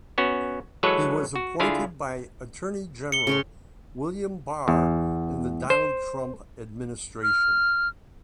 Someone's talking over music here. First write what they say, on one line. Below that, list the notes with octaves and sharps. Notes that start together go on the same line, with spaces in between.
He was appointed by Attorney General William Barr in the Donald Trump administration.
B3 C#4 F#4
E3 F#3 G#3 A4 B4 C#5
F#4
D3 E4 F4 G#4 F5
C#7 G7
C#3 C#5 C6
E2
C5
F6